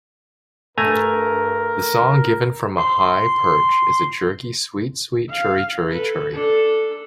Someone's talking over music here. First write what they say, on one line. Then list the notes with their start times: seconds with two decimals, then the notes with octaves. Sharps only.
The song, given from a high perch, is a jerky "sweet-sweet-churri-churri-churri".
0.78 G2 A3 A#4 G#5 A#5
2.78 C6
5.30 F5
5.88 A4 B4
6.32 D4 A4